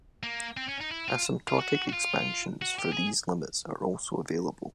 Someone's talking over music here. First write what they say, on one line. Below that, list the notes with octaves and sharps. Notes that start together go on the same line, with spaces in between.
Asymptotic expansions for these limits are also available.
A#3
C4
C#4
D#4
E4
F4
F4
F#4
F#4
F4
F#4
G4
G#4